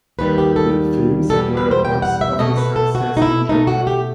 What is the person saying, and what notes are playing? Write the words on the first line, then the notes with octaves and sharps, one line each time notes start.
The films were a box office success in Japan.
D#2 D#3 G3 B4
G4
A4
E2 B2 G3 A4
B4
C5
G5
F#5
E5
B2 A3 D#5
B4
A4
F#4
D#4
E4
B2 A3 D#4
F#4
G4